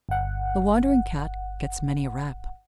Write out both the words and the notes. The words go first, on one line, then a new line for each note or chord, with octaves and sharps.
"The wandering Cat gets many a rap."
G1 F#5